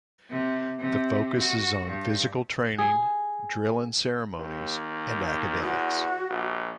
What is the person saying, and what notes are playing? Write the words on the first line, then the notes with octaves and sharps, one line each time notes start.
The focus is on physical training, drill and ceremonies, and academics.
C3
C3
F#4
G2
G#4
D#2
E2 F#4
A#1